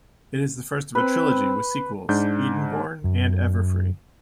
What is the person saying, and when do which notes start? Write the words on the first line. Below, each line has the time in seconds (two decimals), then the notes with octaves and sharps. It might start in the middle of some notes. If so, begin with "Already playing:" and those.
It is the first of a trilogy, with sequels "Edenborn" and "Everfree".
0.95 C4 B4
2.09 G#2 D4 G6
3.04 F#2